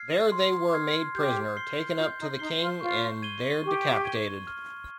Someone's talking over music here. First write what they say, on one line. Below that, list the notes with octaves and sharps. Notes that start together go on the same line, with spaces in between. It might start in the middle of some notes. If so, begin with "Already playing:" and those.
There they were made prisoner, taken up to the king and there decapitated.
Already playing: F6 G#6 C7
C6
F6 G#6 C7
G4 G6
C7 G7
F4 G6
D#4
D#4 C7 G7
F4
F4 C#6
G#6 D#7 G7
G4 C#6
G#6 D#7 G7
F6